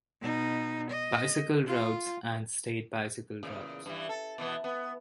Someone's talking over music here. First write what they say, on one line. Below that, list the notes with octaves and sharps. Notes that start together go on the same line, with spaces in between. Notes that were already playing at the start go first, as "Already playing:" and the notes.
Bicycle Routes and state bicycle routes.
B2 D#4
D#5
F4
E2 A#2 C#3
G2 E3
A4
B2 E3 B3
B3